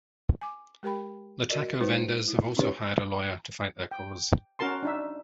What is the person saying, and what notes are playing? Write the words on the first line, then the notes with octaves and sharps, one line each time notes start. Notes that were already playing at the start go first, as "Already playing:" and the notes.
The taco vendors have also hired a lawyer to fight their cause.
G#5 D6
G#3 G4 A#4 G5 B5
F#4 A#4 D5 D#5
G#3 D#4 E4 B4 C5
E4
C#4 D#4 G4 B4 C#5
G5
C#4 F#4 A#4 A5 C6
D4 D#4 E5